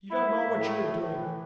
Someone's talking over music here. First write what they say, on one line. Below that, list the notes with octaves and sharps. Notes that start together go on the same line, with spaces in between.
You don't know what you are doing.
E4
E4
A2
A3
A2
A2
E3